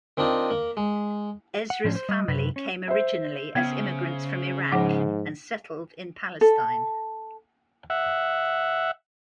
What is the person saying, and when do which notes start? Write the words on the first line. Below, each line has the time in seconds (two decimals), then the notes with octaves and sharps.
Ezra's family came originally as immigrants from Iraq and settled in Palestine.
0.17 D#3 C4 D4 D#4 F4
0.50 A#3
0.77 G#3
1.70 F#5
1.84 A2 F3 C#4 D4
1.95 C5
2.09 G3 D#5
2.28 F#2 C3 B4
2.56 C#4
2.88 C5 E5
3.55 C#3 B3
4.72 G#2 F3 F#5
6.41 A4
7.90 E5 F#5